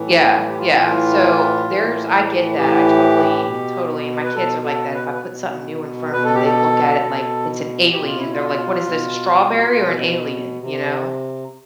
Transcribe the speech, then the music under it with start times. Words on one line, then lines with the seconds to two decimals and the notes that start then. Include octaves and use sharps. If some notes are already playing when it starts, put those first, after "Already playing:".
Yeah, yeah. So there's I get that. I totally totally, and my kids are like that. If I put something new in front of them, they look at it like it's an alien. They're like, "What is this, a strawberry or an alien?" You know?
Already playing: A2 E3
0.49 G4
0.58 F4
0.68 E4
0.78 A2 E3 F4
1.68 A2 E3
2.56 A2 E3 G4
3.46 B2
4.24 B4
4.35 B2 A4
4.64 A4
4.94 B4
5.14 B4
5.24 B2
6.13 B2 B4
6.24 A4
6.34 G4
6.45 A4
7.02 B2
7.92 B2 G4
8.05 F4
8.18 E4
8.31 F4
8.80 B2
9.69 B2
10.59 C3